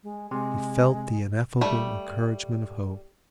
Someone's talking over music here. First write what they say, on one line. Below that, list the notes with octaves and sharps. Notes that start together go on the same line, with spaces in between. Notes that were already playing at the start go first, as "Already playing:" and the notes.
He felt the ineffable encouragement of hope.
G#3
C3 G#3
G3 A3